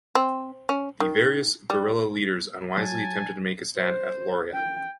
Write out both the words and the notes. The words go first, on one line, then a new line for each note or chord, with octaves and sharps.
The various guerrilla leaders unwisely attempted to make a stand at Lauria.
C4
C#4
D#3
G3
F#3 G#5 A5
C5
G5